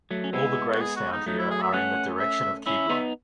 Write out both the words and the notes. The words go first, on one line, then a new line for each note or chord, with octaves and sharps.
All the graves found here are in the direction of Qibla.
F#3 A3
C#4
G#3 B3 E4
F#4
G#4
F#4
D#4
F#3 A3 D#4
E4
G#4
E5
A3 C#4 F#5
E5
C#4 E4 E5
B3 D#4